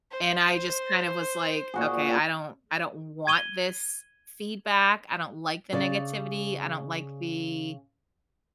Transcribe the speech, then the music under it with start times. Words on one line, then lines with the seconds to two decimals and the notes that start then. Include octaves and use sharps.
And I just, kind of was like, "Okay, I don't I don't want this feedback, I don't like the negativity, I don't like the"
0.11 C5
1.74 A#2 F#4 G#4
3.27 G#6 D#7 G7
5.73 C#3 D5